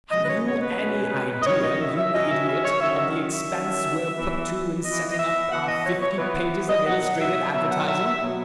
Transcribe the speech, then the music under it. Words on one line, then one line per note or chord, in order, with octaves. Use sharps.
Have you any idea, you idiot, of the expense we're put to in setting up our fifty pages of illustrated advertising?
B2 G#3 C#4 D#5
B4
C#5
C#5
B4
B2 G#3 C#4
D#5
D#3 F#3 C#4 C#5
D#5
E5
E5
D#3 F#3 C#4 D#5
E5
E5
C#5
D#3 F#3 C#4 E5
E5
E5
D#3 F#3 C#4
E3 B3
E3 B3 D#5
D#5
E5
E3 B3 F#5
D#5
C#5
C#5
E3 B3 B4
F#5
D#5
B2 F#3 B3 F#5
E5
B2 F#3 B3 E5
F#5
E5
E5
B2 F#3 B3